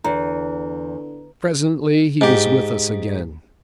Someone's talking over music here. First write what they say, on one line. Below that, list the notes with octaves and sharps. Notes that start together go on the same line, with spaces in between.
Presently he was with us again.
E2 D3 A#5
G#2 G4